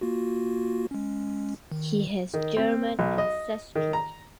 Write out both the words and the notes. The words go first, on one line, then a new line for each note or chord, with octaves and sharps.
He has German ancestry.
A#3 F4 F#4
G#3 C#4
D#3
D#3
C4
B1
D#5
D#3
A#5